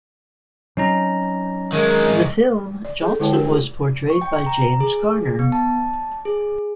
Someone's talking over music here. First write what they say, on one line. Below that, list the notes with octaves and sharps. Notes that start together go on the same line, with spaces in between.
In the film, Johnson was portrayed by James Garner.
F#3 G3 C4 C#4 D#4 A#5
D#3 G#3 A#4
D5
G#4 A4
D3 G#3 E4 C#5 G5 A5
D4 F#4 G4 A#4
A3 F4 G#4
C#6
G5
A#5
G#4
B3
A5
G#4